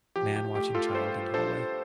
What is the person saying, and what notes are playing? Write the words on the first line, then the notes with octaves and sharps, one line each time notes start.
Man watching child in hallway.
F3 G4
G4
A3 G4
F4 A4
G2 A4 C5
D4 A4 C5